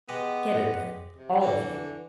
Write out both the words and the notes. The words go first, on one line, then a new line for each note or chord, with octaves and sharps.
'Get it, then--all of you.
G#3 B3 G4 D#5
C3
D3 E3 D4 F#4